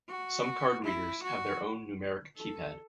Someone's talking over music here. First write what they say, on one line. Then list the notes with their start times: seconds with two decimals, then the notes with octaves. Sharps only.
Some card readers have their own numeric keypad.
0.09 F#4
0.84 E4
1.23 F#4
2.36 A4